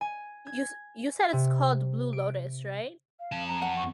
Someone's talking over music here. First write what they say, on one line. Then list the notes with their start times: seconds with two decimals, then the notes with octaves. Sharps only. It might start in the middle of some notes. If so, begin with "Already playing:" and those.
You s you said it's called Blue Lotus, right?
0.01 G#5
0.47 G#6
1.33 C3
2.13 D7
3.19 F5
3.32 F2 A5
3.47 A#5
3.62 F#5
3.76 C#6